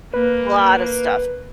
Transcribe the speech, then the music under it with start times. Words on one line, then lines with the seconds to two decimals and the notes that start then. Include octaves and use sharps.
Lotta stuff.
0.13 A#3 B4